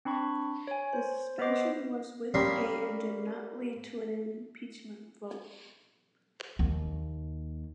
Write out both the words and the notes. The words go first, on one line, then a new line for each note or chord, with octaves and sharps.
The suspension was with pay and did not lead to an impeachment vote.
C4 D4 B5 C#6
C#5 G#5
C5
B3 B4 C5 D#5 D6 C7
G3 A#3 C#4 B5 C6 D#6
D#2